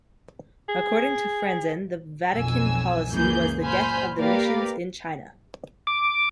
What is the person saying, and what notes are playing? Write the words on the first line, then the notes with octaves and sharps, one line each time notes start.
According to Franzen, The Vatican policy was the death of the missions in China.
G#4
B1 F2 G#5 E6
C#2 F#2 E3 A#3 G#4 G6
A#2 C5 G#5 B5 F6 G6
A#3 G4 A#4 B4 D5 F5
D6